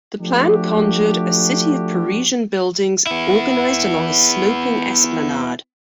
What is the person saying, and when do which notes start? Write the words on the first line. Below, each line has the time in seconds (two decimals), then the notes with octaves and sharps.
The plan conjured a city of Parisian buildings organized along a sloping esplanade.
0.19 F3 A3 D4 F#4 G4
3.07 B3 E4